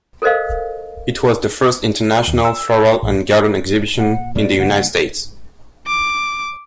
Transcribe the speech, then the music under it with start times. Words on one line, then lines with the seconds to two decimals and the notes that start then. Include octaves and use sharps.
It was the first International Floral and Garden Exhibition in the United States.
0.22 A4 A#4 C5 D#5 F5
2.27 D#2
2.45 E6
3.02 A1
3.99 A#2 F#5
4.35 F#2 A2 C#4 D5
4.60 C#3 G3 A#3 F#5
5.87 D6